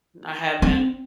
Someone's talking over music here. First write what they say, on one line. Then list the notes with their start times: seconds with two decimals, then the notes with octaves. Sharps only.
I haven't.
0.62 C4